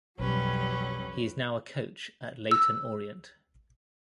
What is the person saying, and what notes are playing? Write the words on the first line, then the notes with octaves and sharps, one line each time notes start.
He is now a coach at Leyton Orient.
B1 F2 F#3 G3 C#4 B4
E6